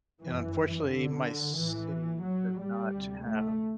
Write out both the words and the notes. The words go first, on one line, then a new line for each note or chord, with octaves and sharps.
and unfortunately, my city does not have
G1 F#2 E3
D3
A1 A2 E3
F#3
G3
D2 C3
A3